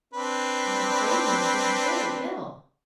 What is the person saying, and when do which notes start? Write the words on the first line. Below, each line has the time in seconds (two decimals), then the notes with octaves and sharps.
"I am afraid you have been very ill."
0.14 C4 D4 B4